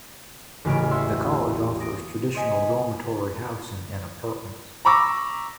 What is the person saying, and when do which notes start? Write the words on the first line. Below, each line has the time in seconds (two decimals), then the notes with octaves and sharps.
The college offers traditional dormitory housing and apartments.
0.65 E1 A1 C#3 B4 F6 D7
0.91 F#4 E5 C6 E6
1.79 D#6 A#6 D7
2.34 C5 D#5 G#5 B6
4.85 A#5 B5 C#6 D6 E6 A#6